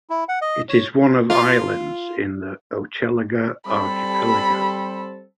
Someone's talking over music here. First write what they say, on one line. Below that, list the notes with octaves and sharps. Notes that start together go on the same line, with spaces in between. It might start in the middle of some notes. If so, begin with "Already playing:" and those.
It is one of islands in the Hochelaga Archipelago.
E4
F#5
D#5
C#5
F4
G3 C4 A4 B5